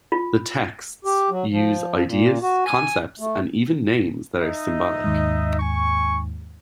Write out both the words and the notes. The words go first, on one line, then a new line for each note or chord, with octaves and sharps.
The texts use ideas, concepts and even names that are symbolic.
F4
G4
F#3
F3
A#2
F#4
G#5
A3
D#4 D#5 E5
D#2 G#2
G#5 C#6